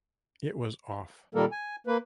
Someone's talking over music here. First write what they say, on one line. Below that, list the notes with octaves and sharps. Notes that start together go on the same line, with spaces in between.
It was off.
A#2 D#3 G3 A#3 A4 A#4
G#5
A#3 B4